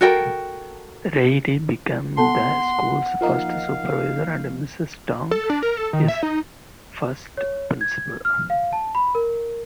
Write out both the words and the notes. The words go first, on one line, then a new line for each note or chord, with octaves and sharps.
Reilly became the school's first supervisor and Mrs. Tong its first principal.
F#4 A4 A#4 G5
B3 A4 F#5 A5 C6
F3 A#3 D#4 F5
A4
D4
A#4
A4
D#3
E5
D#4
C#5
G#6
F6
F5
A5
B5
A#4